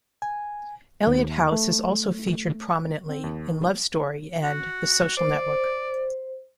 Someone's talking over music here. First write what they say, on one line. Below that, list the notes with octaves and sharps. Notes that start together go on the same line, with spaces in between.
Eliot House is also featured prominently in "Love Story" and "The Social Network".
G#5
D#2
A3
C4
D#2
D#3
F#4
C5 D5